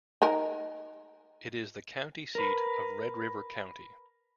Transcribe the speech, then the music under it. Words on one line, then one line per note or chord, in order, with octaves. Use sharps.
It is the county seat of Red River County.
D#4 A#4
A#4 B4